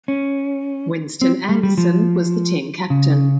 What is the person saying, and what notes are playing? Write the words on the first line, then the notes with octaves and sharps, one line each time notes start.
Winston Anderson was the team captain.
C#4
C4
G3
G3
F3
C#3